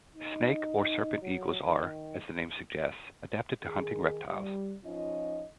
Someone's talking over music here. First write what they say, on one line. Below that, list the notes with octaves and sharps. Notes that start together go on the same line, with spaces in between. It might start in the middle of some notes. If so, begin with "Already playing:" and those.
Snake or serpent eagles are, as the name suggests, adapted to hunting reptiles.
D#4
F#3
D#3
D#3 G#4
G3
F3 C#4 D#4 F4 D#5